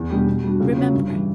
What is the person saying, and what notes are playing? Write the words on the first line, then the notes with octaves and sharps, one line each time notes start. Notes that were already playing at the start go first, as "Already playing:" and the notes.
Remember it.
Already playing: E2
B2 G3 D4 G4
B2
G3 D4 F#4
C#2
C#3 F#3
G2
E3 G3